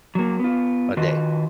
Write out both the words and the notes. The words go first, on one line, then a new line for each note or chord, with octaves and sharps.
a day."
F#3 A#3
B3 F4
D#3 F4 F#4 B4 D#5